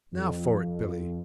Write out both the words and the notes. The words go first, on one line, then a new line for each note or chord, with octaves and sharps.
Now for it, Billy.
F2